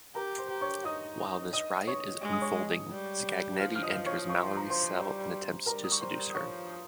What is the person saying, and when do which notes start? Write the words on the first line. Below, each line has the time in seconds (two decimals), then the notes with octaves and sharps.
While this riot is unfolding, Scagnetti enters Mallory's cell and attempts to seduce her.
0.15 G4 A#4 A#5
0.38 C5 C6
0.50 G4
0.61 C#5 C#6
0.85 D#4 D#5 D#6
1.53 D#5 D#6
1.87 C#5 C#6
2.22 G#3 C#6
2.32 D#6
2.42 C#5 C#6
2.92 G3
3.60 F3 F5 F6
3.75 F6
3.82 D#5 D#6
4.06 C#5 C#6
4.30 C#6
4.42 C6
4.56 A#5
4.70 C5 C6
4.98 G3
5.66 G3 A#4 A#5
5.84 D#6
5.92 C#6
6.01 C5 C6
6.31 D#6
6.35 F3 C#5 C#6